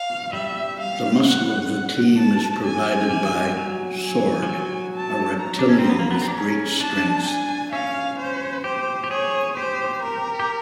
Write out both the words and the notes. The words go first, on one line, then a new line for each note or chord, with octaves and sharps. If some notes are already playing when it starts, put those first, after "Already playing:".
The muscle of the team is provided by "Sord", a reptilian with great strength.
Already playing: F5
G3 E5
F5
F#5
F#5
A5
G#5
G3
F#3
G#5
F3
F#3
A5
A#5
D4
C#4
C4
B3
A#3
B3
C4
D4
C#4
D4 A5
G#5
C#4 F5
C5
G4 C5
G4
G#4 C#5
G4 C5
A#4
G4